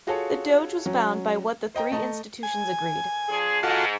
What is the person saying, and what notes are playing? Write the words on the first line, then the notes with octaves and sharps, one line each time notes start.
The Doge was bound by what the three institutions agreed.
F4 F#4 G#4 A4 C#5
F#3 C#4
C5 D#5 G5 A#5
A3 D#5 A5 A#5
G#5
F3 D4 G#4
G#2 F4 F#4 A4